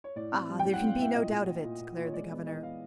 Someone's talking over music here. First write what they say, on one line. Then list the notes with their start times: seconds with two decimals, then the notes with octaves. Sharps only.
"Ah! there can be no doubt of it," declared the governor.
0.04 C#5
0.16 A2 D5
0.32 C4
0.49 G3
0.59 G5
0.65 A2
0.73 F#5
0.82 C4 F5
0.98 A2 E5
1.15 A#2 D#5
1.31 A#2
1.48 A#2
1.64 A#2
1.80 A#2
1.97 A#2
2.05 C#5
2.13 G#3 D5
2.30 B3
2.46 E3 D#5
2.63 B3 F5